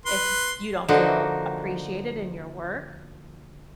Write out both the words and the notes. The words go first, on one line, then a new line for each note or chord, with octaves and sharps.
if you don't feel appreciated in your work,
B4 C6
D3 F3 A#3 D#4 F#4